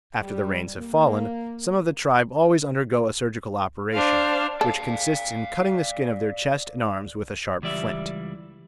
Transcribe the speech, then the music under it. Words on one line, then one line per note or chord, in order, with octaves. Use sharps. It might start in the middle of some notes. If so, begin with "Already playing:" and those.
After the rains have fallen, some of the tribe always undergo a surgical operation, which consists in cutting the skin of their chest and arms with a sharp flint.
G3
A#3
D4 C5 F5
A4 D5 F5
C#2 E3 G3 D5 E5